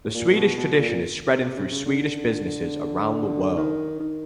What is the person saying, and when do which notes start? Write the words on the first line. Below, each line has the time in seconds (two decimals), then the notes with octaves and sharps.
The Swedish tradition is spreading through Swedish businesses around the world.
0.05 A2
0.14 A#2
0.31 A#2
0.35 B2
0.57 B2
0.79 A#2
1.29 C3
1.57 C#3
1.65 C3
1.72 C#3
1.85 D3
3.57 D#3
4.00 D#3